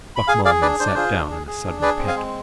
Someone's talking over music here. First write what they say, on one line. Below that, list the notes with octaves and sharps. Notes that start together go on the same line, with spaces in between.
Buck Mulligan sat down in a sudden pet.
B5
G#4 F5 G#5
G#4 D5 F5
D4 B4 D5
D4 C5
D5
F4 G#4 C5
D4
G#4
G#4
D4
G#4 B4 D5
C4
F5 G#5
G#3